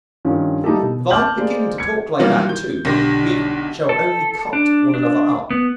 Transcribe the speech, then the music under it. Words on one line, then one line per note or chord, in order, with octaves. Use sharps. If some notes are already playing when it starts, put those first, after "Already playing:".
If I begin to talk like that, too, we shall only cut one another up.
G2 D#3 F3 C#4
G3 A#3 D#4 E4 G4 A4
B2
A5 D6 F6 G6 F#7
G#3 A#3 C5 D5
G#6 C#7
D#3 E3 F#3 G3 A#3 F4
G6
B1 D3 G4 A#6
A4
D4
D4
B3